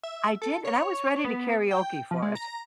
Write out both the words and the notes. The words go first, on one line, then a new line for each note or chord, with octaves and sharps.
I did, and I was ready to karaoke for it.
E5
A4
C#5
B3
G5
F3
G#3
A#5